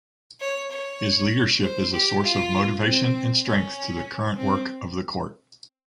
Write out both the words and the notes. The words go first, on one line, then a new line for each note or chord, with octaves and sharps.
His leadership is a source of motivation and strength to the current work of the Court.
C#5
C#5
C5
G4
F4
C4
C#4
C4